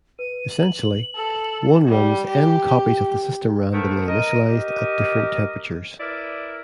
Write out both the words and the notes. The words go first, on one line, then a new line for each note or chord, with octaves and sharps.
Essentially, one runs "N" copies of the system, randomly initialized, at different temperatures.
B4 D#7
F#7
A4
G3
G4
A3 B3 A#4 C5
A#4 D#5
G4 A#4 D#5
E4 A#4 B4 D5